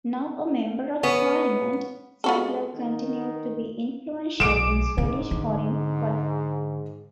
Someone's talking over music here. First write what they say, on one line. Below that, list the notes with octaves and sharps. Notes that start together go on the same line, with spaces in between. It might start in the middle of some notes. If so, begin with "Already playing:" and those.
Now a Member of Parliament, Sandler continued to be influential in Swedish foreign policy.
B3 C#4
G#3 F4 F#4 A4
D#3
B1 G#4 D6 D7 E7
G#2 C3
D3